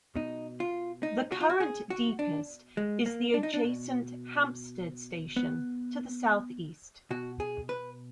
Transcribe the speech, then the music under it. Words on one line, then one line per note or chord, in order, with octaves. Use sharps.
The current deepest is the adjacent Hampstead station to the south-east.
B2 D#4
F4
D#4
F#4
F4
F#4
G#4
F#4
D4
G#3
A#3
D4
D#4
D4
B2
B3
B2 F#4
G#4
B4